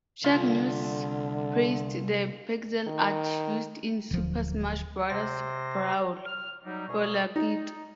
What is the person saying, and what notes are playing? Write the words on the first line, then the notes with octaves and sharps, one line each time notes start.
Shack News praised the pixel art used in "Super Smash Brothers Brawl" for Lakitu.
C2 D3 F4
D#3
D1 F3
C3 C5 A#6
F6
F#3 G3 D#4
C2 B2 G3 G#4 D#5 C#6
D#4